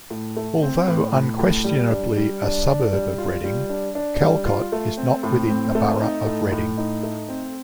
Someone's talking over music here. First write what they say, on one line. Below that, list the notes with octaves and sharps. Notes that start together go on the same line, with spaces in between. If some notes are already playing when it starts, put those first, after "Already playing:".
Although unquestionably a suburb of Reading, Calcot is not within the Borough of Reading.
A2
A3
C4
A2
A2
A2
G3
D4
G3
D4
D4
G3
F4
G3
D4
D4
G3
F4
A3
C4
A2
C4
A3
D#4
A2
A2
D#4
A3
C4